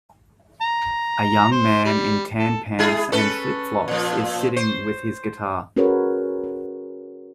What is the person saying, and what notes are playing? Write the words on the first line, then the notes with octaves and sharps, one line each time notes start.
A young man in tan pants and flipflops is sitting with his guitar.
A#5
C5
G3
A4
G#3 E4 G#4
C#4 A4 B4
A#2 F3
C5
C#4 F#4 G#4 A#4 B4 C#5
C#4